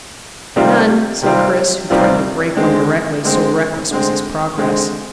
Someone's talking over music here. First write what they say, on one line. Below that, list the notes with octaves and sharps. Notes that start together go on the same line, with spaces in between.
"None," said Chris, who threatened to break one directly, so reckless was his progress.
C3 D#3 G3 C4 F4
C3 D#3 G3 C4 F4
C3 D#3 G3 C4 F4
D3 G#3 C4
D3 G#3 C4
D3 G#3 C4
D3 G#3 C4